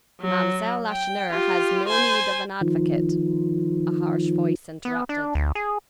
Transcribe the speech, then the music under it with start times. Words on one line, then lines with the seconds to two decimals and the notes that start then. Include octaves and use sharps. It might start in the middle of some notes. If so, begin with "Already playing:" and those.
"Mademoiselle Lacheneur has no need of an advocate!" a harsh voice interrupted.
0.21 F#3
0.92 G5
1.30 F4 G4
1.88 C5 G#5
2.61 D#3 F3
4.85 B3
5.09 D4
5.35 D2
5.55 G#4